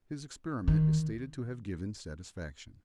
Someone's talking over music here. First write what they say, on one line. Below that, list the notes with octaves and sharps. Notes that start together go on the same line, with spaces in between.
His experiment is stated to have given satisfaction.
D#3